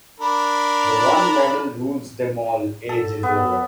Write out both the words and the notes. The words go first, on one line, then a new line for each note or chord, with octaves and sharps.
The one model rules them all age is over.
D4 A#4 B5
A4
B3